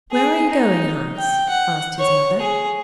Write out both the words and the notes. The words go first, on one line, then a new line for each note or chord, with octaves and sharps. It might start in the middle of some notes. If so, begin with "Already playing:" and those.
'Where are you going, Hans?' asked his Mother.
G#4
D#4
G5
F#5
C#5
G#4